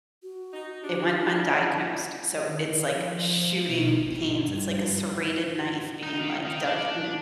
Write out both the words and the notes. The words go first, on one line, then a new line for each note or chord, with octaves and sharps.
it went undiagnosed. So it's like shooting pains. It's like a serrated knife being, like, dug in
F#4
D#4
D4 G4
E4
C#5
D#3
F3
B2
G#1
G2
D#4
D#3
D#3
D4